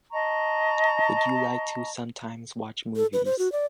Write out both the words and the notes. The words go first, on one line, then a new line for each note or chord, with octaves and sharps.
Would you like to sometimes watch movies?
D#5 A5 A#5 C#6
A4
B4
C5
F#4
D5